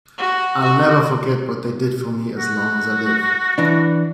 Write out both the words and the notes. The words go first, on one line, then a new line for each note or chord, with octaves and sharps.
I'll never forget what they did for me, as long as I live.
F#4
F#4
F#4
E3 D4